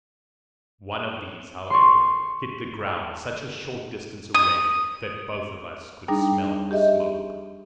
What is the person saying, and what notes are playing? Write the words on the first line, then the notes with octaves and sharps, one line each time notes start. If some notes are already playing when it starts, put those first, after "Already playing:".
One of these, however, hit the ground such a short distance away that both of us could smell the smoke.
C6 C#6
D#6
G3 D4 D#4 G#4 G5 A#5
G4 G#4 D#5 E5